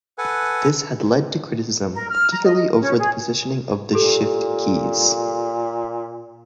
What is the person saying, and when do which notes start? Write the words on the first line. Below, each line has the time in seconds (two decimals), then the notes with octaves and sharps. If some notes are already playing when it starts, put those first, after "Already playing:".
This has led to criticism, particularly over the positioning of the "Shift" keys.
0.18 A4 B4 F#5 G#5
1.95 A#4
2.10 F6
2.31 A#5
2.44 D#5
2.79 C#4
2.98 G#4
3.93 A#2 G4 A4